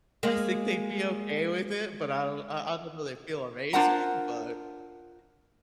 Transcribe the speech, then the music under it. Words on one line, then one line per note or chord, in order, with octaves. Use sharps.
I'd think they'd be okay with it, but I don't I I don't know if they'd feel amazing, but
G#3 A#3
D4 F4 A#4 C5 F#5 A#5